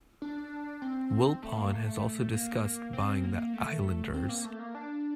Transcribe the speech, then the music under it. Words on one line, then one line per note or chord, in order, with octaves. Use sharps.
Wilpon has also discussed buying the Islanders.
D4
C4
A3
A#3
A3
A#3
C4
C4
A#3
A#3
A3
C4
A#3
A3
A#3
D4